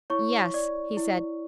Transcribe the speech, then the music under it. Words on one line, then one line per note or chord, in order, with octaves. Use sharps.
"Yes," he said.
E4 C#5 C#6
D5
E4